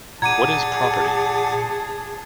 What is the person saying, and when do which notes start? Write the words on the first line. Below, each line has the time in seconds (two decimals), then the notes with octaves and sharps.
What Is Property?
0.22 A#2 G#4 F#5 A5 A#5 D6 G#6 D#7